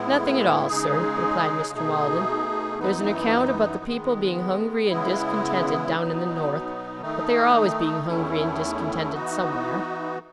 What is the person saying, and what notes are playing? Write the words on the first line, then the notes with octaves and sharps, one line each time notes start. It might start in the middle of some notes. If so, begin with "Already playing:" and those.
'Nothing at all, sir,' replied Mr. Maldon. 'There's an account about the people being hungry and discontented down in the North, but they are always being hungry and discontented somewhere.'
Already playing: A2 E3 G#3 B3 E4
C#3 G#3 D#4 G#4
B2 A3 D#4 G#4
F#2 E3 B3 D#4
D#3 G#3 B3
C#3 G#3 B3 E4
B2 F#3 B3 D#4
D#3 A3 D#4
E2 D#3 A3 C#4 E4
E3 B3 D#4 F#4